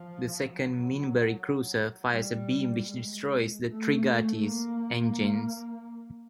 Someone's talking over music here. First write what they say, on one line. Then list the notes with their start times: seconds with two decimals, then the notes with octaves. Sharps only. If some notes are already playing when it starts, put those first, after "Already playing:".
The second Minbari cruiser fires a beam which destroys the "Trigati's" engines.
Already playing: F3
0.51 F#3
2.09 G3
2.88 G#3
3.68 A3
4.47 A#3